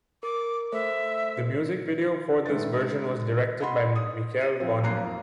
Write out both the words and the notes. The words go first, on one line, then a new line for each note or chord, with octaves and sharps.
The music video for this version was directed by Michel Gondry.
A#4 D6
A3 A4 C5 E5
G#2 D#3 A3 B4 A6
D#5 F#5 B5 C6
D#6
D#7
F3 C4
B1 F2 A#3 A#5 F#6 C7